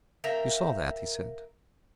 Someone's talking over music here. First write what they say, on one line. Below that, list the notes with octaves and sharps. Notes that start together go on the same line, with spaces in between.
"You saw that?" he said.
A#4 E5 F5 G5